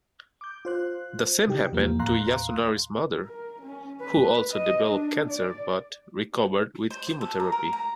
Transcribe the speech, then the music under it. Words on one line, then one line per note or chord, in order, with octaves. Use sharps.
The same happened to Yasunari's mother, who also developed cancer but recovered with chemotherapy.
D6 G6
F4 C5 F#6
C3 D#4 G4
E2 F3 A#3
D#2 A2 F5 A#5 C6 F#6
A#4
C#4
B4
D#5
D4
D5
C5
C5
A4
A#5
A#4
A#5